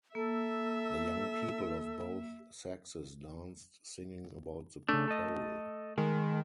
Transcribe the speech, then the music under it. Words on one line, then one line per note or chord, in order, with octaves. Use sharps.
The young people of both sexes danced singing about the pole.
A#3 A4 E5
C#3 A3 D4
A4 D#5
D#3 G#3